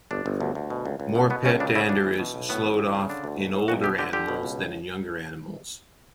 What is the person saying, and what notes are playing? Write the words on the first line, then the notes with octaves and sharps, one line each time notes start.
More pet dander is sloughed off in older animals than in younger animals.
G1 D4
G1
D2
D2
B2
C#2
C#2
B2
B2 B3
C#2 C#4
C#3 D4
C#3 E4
D2 D4
E3
B2
B1
A2 B3
A1
E3
C#3
D3 D4
D2
B1
A2
B1 F#4
B2 G4
D3 G4
D3 G4
B2
C#2